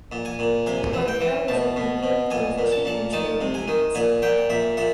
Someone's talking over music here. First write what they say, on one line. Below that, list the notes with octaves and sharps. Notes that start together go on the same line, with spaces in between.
Upadhyaya was an Indian politician and trade unionist.
A#2
G#5
A#2
C3 G#5
E3
G5
E3
B2 A5
B2
B2
A#2 G#5
A#2
A5
A#2 A5
D#3 A5
C3
G#5
D#3
A#2 G#5
A#2 G5
A#2 E5
A#2 E5